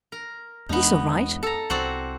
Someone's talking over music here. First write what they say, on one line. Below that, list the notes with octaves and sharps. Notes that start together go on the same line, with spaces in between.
He's all right.
A#4
E2 G#3 B3 D4 D#4
A4 A#5
C2 C4 F#4 D5